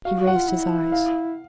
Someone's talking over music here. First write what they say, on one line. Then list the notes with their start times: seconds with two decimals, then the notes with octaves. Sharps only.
He raised his eyes.
0.05 F#4 F5
0.19 F#4
0.27 F#5
0.35 F4
0.49 E4
0.92 F5